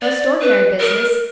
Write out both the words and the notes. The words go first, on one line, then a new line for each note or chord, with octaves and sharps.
Most ordinary business.
D5
B4
A#4